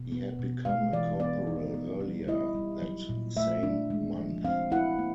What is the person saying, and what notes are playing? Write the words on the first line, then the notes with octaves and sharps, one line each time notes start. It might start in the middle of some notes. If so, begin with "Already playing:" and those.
He had become a corporal earlier that same month.
Already playing: B2
B3
B2
G#3 F5
E3 D5
B3 D5
D#4
B3
G3
E4 D#5
G3
F#3
A#2
A3 E5
D4
G#3
F3
C4 F5
E4 F#5
A#3